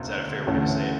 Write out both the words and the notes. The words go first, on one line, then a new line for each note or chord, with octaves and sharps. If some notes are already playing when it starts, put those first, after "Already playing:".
Is that a fair way to say it?
Already playing: E1 D2 C#3
D2 C#3 E3 A3 C#4